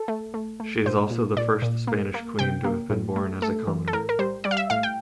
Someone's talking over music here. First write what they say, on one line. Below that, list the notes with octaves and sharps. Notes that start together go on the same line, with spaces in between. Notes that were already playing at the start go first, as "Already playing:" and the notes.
She is also the first Spanish queen to have been born as a commoner.
Already playing: A4
A3
A3
A3
A#2 C5
A#2
A#2 D5
A#2
A#3
A#3
C3 G5
A#3
A2
A3
A3 A4
E3
A4
A2 A#4
A#4
G3 C5
G3 D5
F5
E5
A2 F5
G5